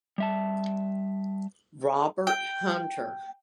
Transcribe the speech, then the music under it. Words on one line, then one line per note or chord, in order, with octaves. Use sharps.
Robert Hunter.
G3 E5 A5
G5